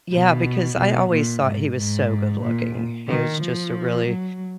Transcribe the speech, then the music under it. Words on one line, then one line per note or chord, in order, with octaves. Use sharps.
Yeah, because I always thought he was so good-looking. He was just a really,
B2
B2
A#2
G#2
G#2
A#2
D#3
F3
F#3